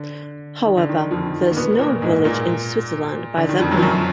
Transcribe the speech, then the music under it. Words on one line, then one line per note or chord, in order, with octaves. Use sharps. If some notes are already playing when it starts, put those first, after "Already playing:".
However, there is no village in Switzerland by that name.
Already playing: D3
D#3
D3
D#3
D#3
F2 F3
D#3
D#3
A#3
B2 B3
A#2 A#3
G#2 G#3
A#2 A#3
D3
D#3
F2 F3
F#2 F#3
F3
F#2 F#3